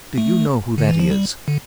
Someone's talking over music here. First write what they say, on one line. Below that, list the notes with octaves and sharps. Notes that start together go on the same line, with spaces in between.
"Do you know who that is?"
A3
D3
E3
F3
G3
D3